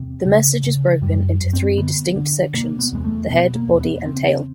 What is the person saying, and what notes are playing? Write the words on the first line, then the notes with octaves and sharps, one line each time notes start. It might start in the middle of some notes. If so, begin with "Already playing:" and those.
The message is broken into three distinct sections: the head, body and tail.
Already playing: E2 C3
C#3
C#3
F#2 G3
F#2
C4
D3 B3
D3
C3 A#3
B3
E2 G#3
A3
B2 B3
A#3
E2
B3
C#3 C4